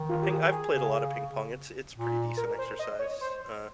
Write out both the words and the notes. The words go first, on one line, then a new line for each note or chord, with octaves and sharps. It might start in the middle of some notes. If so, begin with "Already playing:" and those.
ping I've played a lot of ping pong, it's it's pretty decent exercise, uh,
Already playing: D#3
F4
G4
G#4
G#4
C#3
A#2
A#4
C5
D#5
C#5
C5